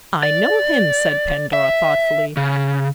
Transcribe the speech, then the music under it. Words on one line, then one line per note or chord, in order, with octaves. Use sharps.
"I know him," said Pandora, thoughtfully.
D5
E5
C#3